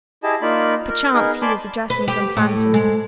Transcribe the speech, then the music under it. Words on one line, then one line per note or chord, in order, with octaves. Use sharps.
Perchance he was addressing some phantom.
E4 G4 G#4 D#5 A5
A#3 D#4 F4 D5 B5
A#4
B3 D#4 G#4 A#4
D5 G#5 A5 B5 C6 D6
B4
G4
A2
G#3